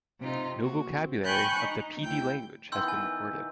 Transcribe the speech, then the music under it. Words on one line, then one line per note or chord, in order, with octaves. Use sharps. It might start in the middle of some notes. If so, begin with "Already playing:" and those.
No vocabulary of the Pedee language has been recorded.
C3 D#4 F4
A#3 F#4
C4
G5 G#5 B5 C#6 F#6 G6
D#4
D2 E4 G5 G6
D#3 E3 B3 C6 E6 G6
G#5